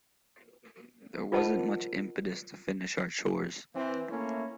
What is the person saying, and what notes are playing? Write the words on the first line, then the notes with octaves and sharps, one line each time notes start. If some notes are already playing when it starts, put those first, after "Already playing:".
There wasn't much impetus to finish our chores.
F4 A#4 C5 D#5 F#5 A5
E3 C4
A3 A#3 C#4 E4